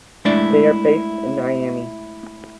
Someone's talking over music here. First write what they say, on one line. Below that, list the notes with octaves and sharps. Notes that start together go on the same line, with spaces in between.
They are based in Niamey.
G#3 A3 D4 E4 D5